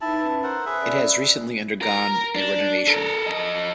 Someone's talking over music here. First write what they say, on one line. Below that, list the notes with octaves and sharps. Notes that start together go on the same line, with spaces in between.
It has recently undergone a renovation.
D#4 E4 B4 A5
C#4 B4
A#4 C5 F#5 E6
G#4 B4 E5
C#4 A4 D5
A#4
D4
A4 A#4
F2 D#5